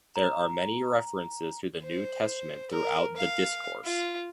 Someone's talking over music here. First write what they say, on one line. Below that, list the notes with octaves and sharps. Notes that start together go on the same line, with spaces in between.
There are many references to the New Testament throughout the "Discourse".
A#5
C5
A#4
F5
F4